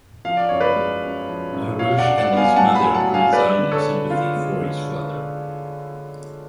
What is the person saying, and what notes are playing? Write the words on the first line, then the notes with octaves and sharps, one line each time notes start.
LaRouche and his mother resigned in sympathy for his father.
F3 F5
D5
F#2 C#5
B4 D5
G#3
F#2
F3
F#2
F#3 C#5 F5
D5 F#5
D4
D5 F#5
B3
F5 G#5
G#5
A2 F#5 A5
G#5 B5
F#3
F#5 A5
D4
F5 G#5
G#3 B4 D5
D3
A4 C#5
D4
D3 F4
G#3
D3